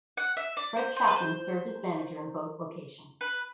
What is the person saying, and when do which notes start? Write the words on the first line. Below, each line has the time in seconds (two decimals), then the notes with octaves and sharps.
Fred Chapman served as manager in both locations.
0.17 F#5
0.37 E5
0.57 D5
0.77 C5
0.96 C5
1.08 B4
1.16 C5
3.21 B4